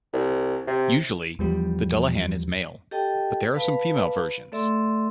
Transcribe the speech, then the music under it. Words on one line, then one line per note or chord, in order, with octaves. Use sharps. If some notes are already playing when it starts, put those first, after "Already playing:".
Usually, the Dullahan is male, but there are some female versions.
C2
C3
E2 F3 G3
G4 A4 D#5 G5 A5
B4 F5 A5 B5
A3 A4 D5 E5 C6 E6